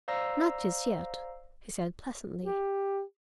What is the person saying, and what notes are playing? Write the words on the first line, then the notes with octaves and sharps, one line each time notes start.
"Not just yet," he said pleasantly.
C5 D5 F5 A#5 E6 A#6
G4